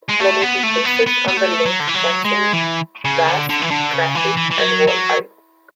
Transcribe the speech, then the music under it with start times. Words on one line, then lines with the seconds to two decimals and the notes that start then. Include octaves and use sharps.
Many people fish on the lake, catching bass, crappie, and walleye.
0.09 G#3
0.20 A3
0.42 B3
0.63 A3
0.85 B3
1.07 B3
1.28 B3
1.37 A3
1.66 F#3
1.80 D3
1.87 E3
1.95 F#3
2.25 G#3
2.53 E3
3.05 C#3
3.27 D3
3.49 D3
3.62 E3
3.70 D3
3.93 C#3
4.15 E3
4.37 E3
4.51 E3
4.58 F#3
4.88 F#3